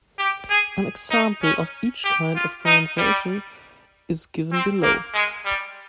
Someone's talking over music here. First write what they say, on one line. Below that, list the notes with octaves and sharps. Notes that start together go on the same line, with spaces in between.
An example of each kind of pronunciation is given below.
G4
G#4
D#4
C#4
G4
F4
D#4
G3
C4
A#3
G#3
G3